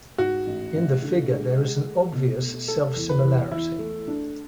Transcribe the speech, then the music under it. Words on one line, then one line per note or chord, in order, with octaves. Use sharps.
In the figure there is an obvious self-similarity.
G#2 F#4
A1
A1
D3
G#3
G#3
A3
B2
A3
A3 A4
E2
B4
E2
E2 E4
A3
D4